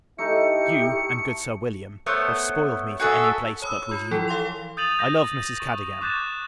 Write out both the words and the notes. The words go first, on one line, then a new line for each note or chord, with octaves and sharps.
You, and good Sir William, have spoiled me for any place but with you. I love Mrs. Cadogan.
A3 D#4 E4 G4 C#7
A3 B3 C5 C#5
F#4 G#4 A4 E5
C#5 B5 D#6 E6
F4 B5
E3 F3 E4 A4
A4 F5 C6 F7
D#6 G6 A6 D#7 F7 F#7
D#6 G6 A#6 F#7
C#6
C#6 D6 F#6 G6 A6 E7